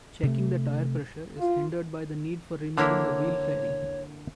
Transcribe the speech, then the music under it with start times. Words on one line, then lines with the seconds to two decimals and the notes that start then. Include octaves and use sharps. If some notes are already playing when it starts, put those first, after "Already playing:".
Checking the tire pressure is hindered by the need for removing the wheel fairing.
0.23 C3 A3
1.39 F4
2.78 D3 A#3 E4 C#5